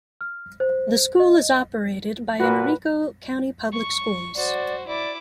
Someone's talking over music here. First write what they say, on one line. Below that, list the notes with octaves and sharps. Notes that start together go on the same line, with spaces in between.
The school is operated by Henrico County Public Schools.
F6
C5
D#5
A#2 F#4 B4
C#6
F#4 C5 D5
E4 D5 D6